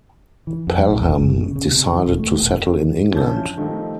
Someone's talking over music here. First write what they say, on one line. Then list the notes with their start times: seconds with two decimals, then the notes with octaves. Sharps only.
Pelham decided to settle in England.
0.47 E3
0.67 F2
0.89 A#1
1.04 E1
1.17 F#1
1.43 C#3
1.56 C#3
1.71 C3
1.92 E3
2.07 E1
2.19 A3
2.42 E1
3.12 G1 E3 F3 C#4 A5 G6
3.58 D#3 F3 G3 A3 C4 D#4